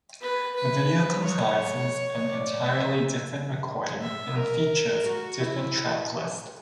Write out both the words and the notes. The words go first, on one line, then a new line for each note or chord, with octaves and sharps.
The video comprises an entirely different recording, and features a different track list.
B4
B4
C#5
D5
E5
E5
A#4
F#4
E4